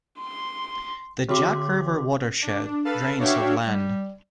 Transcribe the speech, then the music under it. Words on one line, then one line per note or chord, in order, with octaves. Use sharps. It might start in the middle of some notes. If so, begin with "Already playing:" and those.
The Jock River watershed drains of land.
C6
D3 F#4 C6 D6
D4
A4 B4 F5 A5 A6
D4 F#4 C#5 E5 F5 G5
G3